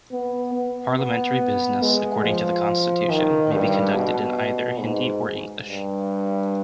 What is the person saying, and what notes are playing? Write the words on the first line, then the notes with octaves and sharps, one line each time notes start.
Parliamentary business, according to the Constitution, may be conducted in either Hindi or English.
B3
B3
B3
G#3
F3
D#3
G2
B2
G#2
G2